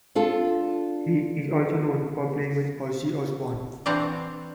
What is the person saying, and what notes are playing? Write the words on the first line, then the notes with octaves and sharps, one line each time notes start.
He is also known for playing with Ozzy Osbourne.
D4 F4 A4
E3 C4 D4 F#4 F5 A#5